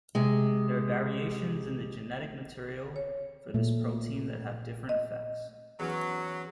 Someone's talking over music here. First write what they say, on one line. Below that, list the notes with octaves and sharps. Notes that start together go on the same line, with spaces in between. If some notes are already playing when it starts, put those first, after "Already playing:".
There are variations in the genetic material for this protein that have different effects.
C3 G#3
C#5
A#2 A3
D#5
E2 F#3 C#4